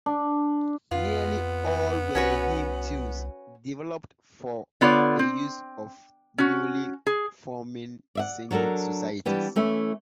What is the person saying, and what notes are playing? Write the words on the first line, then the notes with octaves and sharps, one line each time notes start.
Nearly all were hymn tunes, developed for the use of the newly-forming singing societies.
D4
F2 B3 F4
C2 C#4 F#4 B4
D3 B3 F4 C#5 D5
C4
C#4 F#4
G#4
D5 E5 F#5
F#3 D4 F#4 A4 A#4
E3 G3 B3 D4
E3 A3 C#4 E4